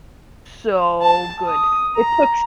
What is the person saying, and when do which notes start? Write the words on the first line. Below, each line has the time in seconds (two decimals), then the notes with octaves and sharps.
so good. It took
1.01 A5
1.47 D#6
1.95 A#5